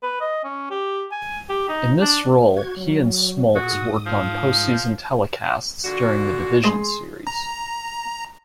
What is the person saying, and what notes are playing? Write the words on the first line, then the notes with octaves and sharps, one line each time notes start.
In this role, he and Smoltz worked on postseason telecasts during the Division Series.
B4
D#5
C#4
G4
G#5
G4
D#4
D4
F#4 G#6
F#3
A#2 F#4 G#4
G#2 D#6
F3
A#2 D3 F#4
G#3 G#4 D#5 C6
A#5